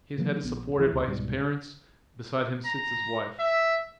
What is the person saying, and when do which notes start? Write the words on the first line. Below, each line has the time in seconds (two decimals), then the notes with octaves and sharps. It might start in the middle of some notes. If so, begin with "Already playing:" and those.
His head is supported by his parents: beside him sits his wife.
0.18 C#3 E3 F#3 A#3
0.43 A#1 B3
0.75 D1 E3
0.92 D2 C#3
1.07 C#2 G#2 B2 G3
2.66 A#5
3.40 E5